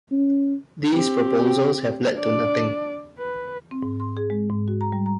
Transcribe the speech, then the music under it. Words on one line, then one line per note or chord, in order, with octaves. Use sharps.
These proposals have led to nothing.
C#4
C4 G4
D4 D5
B4
C4
G#2
C6
G#4
G#3
G#2
F#4
A#5
G3
A#5